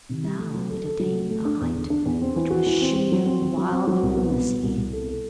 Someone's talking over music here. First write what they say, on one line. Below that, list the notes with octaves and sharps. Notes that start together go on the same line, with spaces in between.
Now it attained a height which was sheer wild lunacy.
C3
G3
A3
F#3
A4
A4
F#3
A3
A3
D4
E2
D3
D4
E2
C4
E3
F#4
E3
C4
C4
F#3
C4
C4
F#3
C4
F#3
C2
B3
B2
B2
C2
C2
A4
A4